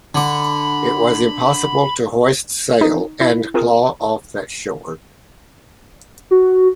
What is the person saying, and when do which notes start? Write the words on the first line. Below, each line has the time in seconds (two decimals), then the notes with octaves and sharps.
It was impossible to hoist sail and claw off that shore.
0.15 D3 B5 D6
2.81 D#4
3.21 E4
3.54 C4 F4 G#4 A#4
6.31 F#4